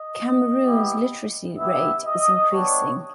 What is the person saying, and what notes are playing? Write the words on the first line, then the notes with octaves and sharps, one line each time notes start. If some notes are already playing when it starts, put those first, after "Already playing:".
Cameroon's literacy rate is increasing.
Already playing: D#5
B3 E4 G4
B3 E4 G4 E5
D#5
G3 B3 D4 C#5